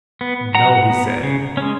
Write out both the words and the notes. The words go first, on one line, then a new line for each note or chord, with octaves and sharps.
"No!" he said.
B3
F#3 F#5 A#5
B3
C#3
G#3 C#4